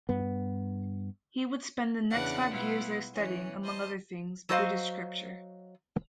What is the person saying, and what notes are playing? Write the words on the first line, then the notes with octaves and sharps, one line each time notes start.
He would spend the next five years there studying, among other things, Buddhist scripture.
G2 B3
E2 C#3 D4 B4 D5 F#5
B2 G3 B3 E4 F4
E3 C#4
C5 D#5 A5
F#3 F#4 C5 D#5 F5